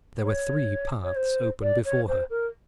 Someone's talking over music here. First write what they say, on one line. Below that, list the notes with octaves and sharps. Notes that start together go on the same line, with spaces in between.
There were three paths open before her.
C#5
C#5
C5
D5
C#5
C5
A#4